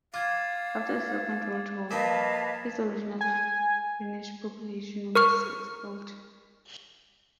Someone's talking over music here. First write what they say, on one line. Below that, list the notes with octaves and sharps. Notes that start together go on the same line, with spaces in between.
After the Second World War, its original Finnish population was expelled.
F4 F5 D6 G#6 A6
A#2 F3 A#3 B4 D#5 F5 A5 E7
G#5
A#4 C#6 F6